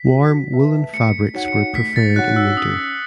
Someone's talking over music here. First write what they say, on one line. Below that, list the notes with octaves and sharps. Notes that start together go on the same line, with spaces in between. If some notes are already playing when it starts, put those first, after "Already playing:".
Warm woollen fabrics were preferred in winter.
Already playing: B6
F#4
B4 E5 A5
A3 C#7
D#4 F#4 C#5 F#5
C#7
A3 B6
A6
D#4 F#4 C#5 F#5 F#6
E6
C#4 D#6